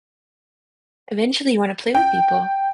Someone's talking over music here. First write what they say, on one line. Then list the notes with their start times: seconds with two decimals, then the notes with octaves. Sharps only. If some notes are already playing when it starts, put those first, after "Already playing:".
Eventually, you wanna play with people.
1.95 G5